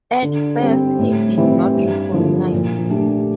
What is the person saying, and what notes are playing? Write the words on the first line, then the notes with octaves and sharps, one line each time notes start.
At first he did not recognise me.
D3
G3 C4
A2
E3 G3 C4
G2
D3 F3 A#3 E4
A#2
A3 D4 G4